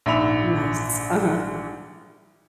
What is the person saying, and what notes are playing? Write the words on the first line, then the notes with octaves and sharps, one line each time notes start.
Nice. Uh-huh.
A#1 G#2 E5 B5 F7